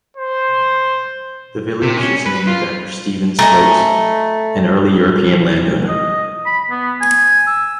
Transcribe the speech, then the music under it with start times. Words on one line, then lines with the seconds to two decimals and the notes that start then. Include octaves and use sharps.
The village is named after Stephen Sloat, an early European landowner.
0.17 C5
1.82 C3
1.97 C#4
2.26 B4
2.47 F4
3.39 A3 D#5 G#5 A#5
5.88 D#5
6.46 B5
6.70 B3
7.01 G#5
7.47 E6